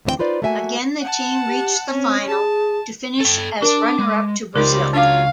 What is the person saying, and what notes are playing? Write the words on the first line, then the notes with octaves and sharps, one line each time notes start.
Again the team reached the final, to finish as runner-up to Brazil.
D2 E3 C4 C#5 G5
D#4 F4 B4 C5 D5
A3 A#3 F#4 E5 G5 G#5
F#5 A5
G4
C4 C#4
G#4 A5
A4 G5
D4 A#4 D5 D6
G#3
C#2 G3 D#4 A#4 C5 D5
F#3 D4 F4 C#5 F5 D6